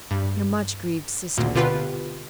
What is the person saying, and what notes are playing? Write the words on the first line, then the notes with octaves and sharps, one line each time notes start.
'Your much grieved sister.'
G2
G#1 D2 A#2
B2 D3 B3 F4 G4 B4